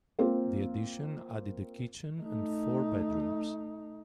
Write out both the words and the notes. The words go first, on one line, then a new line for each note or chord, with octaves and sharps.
The addition added a kitchen and four bedrooms.
A#3 C4 F4 A#4
A3 D#4